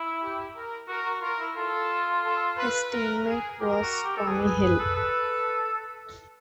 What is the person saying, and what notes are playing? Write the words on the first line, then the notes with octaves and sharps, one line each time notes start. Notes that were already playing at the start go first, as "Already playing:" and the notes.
His teammate was Tommy Hill.
Already playing: E4
G4
A#4
F#4 A#4
F#4
F4 A#4
E4
F4 A4
A4
B4
A#4
G#4
G4 A#4
F#4
G4
A4
G#4 B4
G#4
G#4
A4
A4